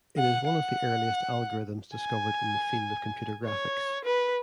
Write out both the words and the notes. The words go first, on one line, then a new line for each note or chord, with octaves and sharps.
It is one of the earliest algorithms discovered in the field of computer graphics.
F#5
F#5
G#5
C#5
B4